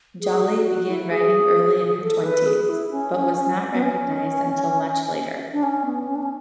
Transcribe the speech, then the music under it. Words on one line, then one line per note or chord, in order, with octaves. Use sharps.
Jolley began writing early in her twenties, but was not recognised until much later.
G#4
F#4
F#4
E4
G#4
A4
B4
G#4
E4
C#4
C#4
C#4
B3
C#4
D4
C#4
B3
C#4
D4
C#4